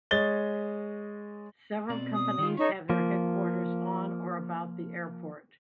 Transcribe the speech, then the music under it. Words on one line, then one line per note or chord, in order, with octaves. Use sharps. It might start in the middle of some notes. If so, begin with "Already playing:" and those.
Several companies have their headquarters on or about the airport.
G#3 C#5 D#5 A6 G7
B2 C4 D5
D#6
D#3 F4
C#4 D#4 A4 C#5 C#6
F3 A#3